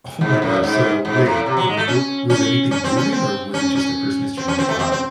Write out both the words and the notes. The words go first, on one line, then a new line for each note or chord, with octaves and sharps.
Oh my gosh, so wait w was anything moving or was it just the Christmas tree you thought w
G#2
F#2
G#2
G#2
A2
C3
F#3
G#3
A3
C#4
C#4
C#4
C4
C#4
C4
C#4
C#4
C4
C#4
C4
A3
C4
C4